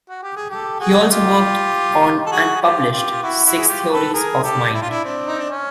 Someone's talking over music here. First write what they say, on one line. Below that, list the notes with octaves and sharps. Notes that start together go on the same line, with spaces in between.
He also worked on and published "Six Theories of Mind".
F#4
G4
G#4
G4 A4
F#4 G#4
F4 G4
A4
F#4 G#4
G#4
F4 G4
F4 G4
F4
E4 F#4
E4 F#4
G#4
F4 G4
A4 B4
G#4 A#4
G4 A4
E4
F4
D4 E4
C4 D4
D#4
D4
C#4